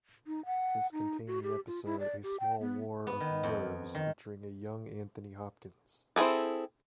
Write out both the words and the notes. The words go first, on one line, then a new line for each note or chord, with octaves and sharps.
This contained the episode A Small War of Nerves featuring a young Anthony Hopkins.
D#4
F#5
D#4
F#4
G4
F4
E4
D5
G4
G5
B3
B3
D#3
F2
D#3
C4 E4 F#4 G#4 A4